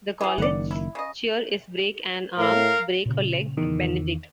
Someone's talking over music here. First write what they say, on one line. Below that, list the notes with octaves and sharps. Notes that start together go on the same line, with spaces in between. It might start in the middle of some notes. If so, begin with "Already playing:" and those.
The college's cheer is Break an arm, break a leg, Benedict!
E3 G#4
F#1 D#3 D5 F#5
E4
C#3 D#5
A2 A#4 F5
A#2 C#3
E2 D#3